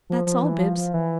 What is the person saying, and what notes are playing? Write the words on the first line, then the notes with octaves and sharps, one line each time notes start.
That's all, Bibbs.
F3
F3
E3
F3
F3
E3